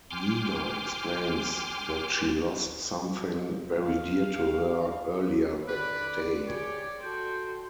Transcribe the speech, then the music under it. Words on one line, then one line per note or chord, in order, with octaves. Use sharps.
Nina explains that she lost something very dear to her earlier that day.
G5 G#5 C6 D6 F6
F5
D3 B4 D5 B5 D6
G4 G#4 C#5
F#4 A4 G5 C6